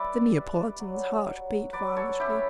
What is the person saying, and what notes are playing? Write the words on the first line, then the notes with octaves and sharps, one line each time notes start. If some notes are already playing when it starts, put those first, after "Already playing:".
The Neapolitan's heart beat violently.
Already playing: G3 E4 B4 D5 E5
G3
F#3
F#3
F#3 B4 D5
A4 C#5
C#4 E4 G4